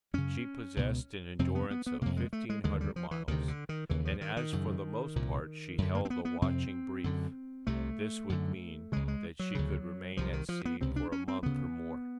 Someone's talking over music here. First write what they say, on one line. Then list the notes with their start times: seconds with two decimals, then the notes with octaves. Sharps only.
She possessed an endurance of fifteen-hundred miles, and as for the most part she held a watching brief, this would mean that she could remain at sea for a month or more.
0.14 F#2 C#3 C#4
0.77 C#2 B2
1.39 F2 C3 C4
1.55 B3
1.71 B3
1.86 B3
2.01 F2 C3 A#3
2.17 G#3
2.33 A3
2.50 G#3
2.64 D#2 D3 G#3
2.81 G3
2.96 F3
3.11 E3
3.28 D2 C3 D#3
3.48 D3
3.69 D#3
3.90 D#2 C#3 E3
4.05 F3
4.21 D#3
4.37 D#3
4.53 F#2 C#3
5.16 C2 A#2
5.78 F#2 D3
5.95 A#3
6.05 C4
6.10 B3
6.25 B3
6.42 F2 C3 C4
7.04 F#2 D3
7.67 C2 C3 A3
8.29 F#2 D3
8.92 C#2 C#3 G#3
9.08 G#3
9.39 F#3
9.55 D2 C#3
10.17 C2 C3 F3
10.33 D#3
10.49 F3
10.65 B3
10.81 C#2 C3 C4
10.96 D4
11.12 C#4
11.28 C4
11.43 D2 C#3 B3